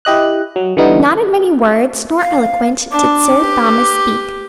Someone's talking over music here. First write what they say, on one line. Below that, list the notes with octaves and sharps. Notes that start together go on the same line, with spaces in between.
Not in many words, nor eloquent did Sir Thomas speak.
E4 G4 D#5 F#6
F#3
D3 E3 G3 B3 D#4
F5
D4 D6
G4 B4